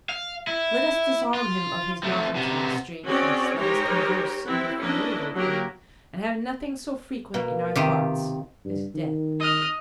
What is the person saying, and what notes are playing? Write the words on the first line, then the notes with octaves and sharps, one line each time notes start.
Let us disarm him of his novelty and strangeness, let us converse and be familiar with him, and have nothing so frequent in our thoughts as death.
F5
E4
F4
F3 A3
C3 B3
C4 C#4 F#4 G#4 C#5 D5
G#3 D#4 G4 A#4 C5 C#5
B3 C4 E4
A#3 C#4 D4 E4 B4 D#5
F#3 A#3 G4 A#4
B2 A#3
C3 D#3 F4 G4
G2
D#3
D#5 F6